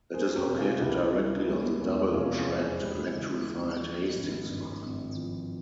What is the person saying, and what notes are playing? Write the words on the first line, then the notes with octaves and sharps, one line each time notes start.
It is located directly on the double-tracked electrified Hastings Line.
A#3 G#4 C5
G4 A#4
C3
F4 G#4
C#2 E4 G4
G3
G#3
E2
F1 C#4 F4
F4 G#4
E3
G#4 C5
G#3 E4 G4
C#3
E2
F3
G#1
G2
G#1
F3